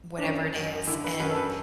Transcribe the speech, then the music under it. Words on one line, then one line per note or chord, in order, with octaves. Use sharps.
whatever it is, and
D4
F#2 C#4
F#2
D3 E4
B4
F#2 B4
A4
B4